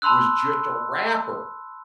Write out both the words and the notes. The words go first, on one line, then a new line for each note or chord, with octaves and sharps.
was just a wrapper,
A5 B5 C6 E6 F#6